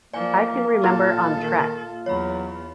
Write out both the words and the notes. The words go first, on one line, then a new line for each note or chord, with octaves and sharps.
I can remember on Trek.
F3 A#3 D5 G#5
A#2 F4 A4 C#5
D#3 A#3
E2 F#3 C#5 B5